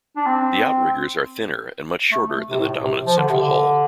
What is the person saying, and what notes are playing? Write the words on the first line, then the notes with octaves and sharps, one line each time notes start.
The outriggers are thinner and much shorter than the dominant central hull.
D4
C4
A3
C3
A2
C3
F3
D3
C3
D3